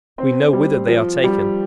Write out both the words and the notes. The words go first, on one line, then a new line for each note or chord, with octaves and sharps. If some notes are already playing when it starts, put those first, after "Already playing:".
We know whither they are taken!
C4
G3
F3
G3